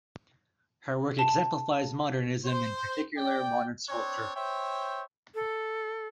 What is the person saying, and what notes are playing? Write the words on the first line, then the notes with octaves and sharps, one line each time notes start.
Her work exemplifies Modernism and in particular modern sculpture.
A5
C5
D5 G5
C4 D4 C#5
C5 C#5 E5 G5
A4